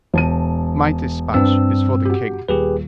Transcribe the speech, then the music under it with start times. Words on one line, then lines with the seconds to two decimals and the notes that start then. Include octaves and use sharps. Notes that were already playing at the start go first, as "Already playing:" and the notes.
"My dispatch is for the king."
0.14 E1 A5 D#7
1.34 G2 C4 D4 B4 E6
2.05 F#4 G4
2.49 D#1 G4 G#4 B4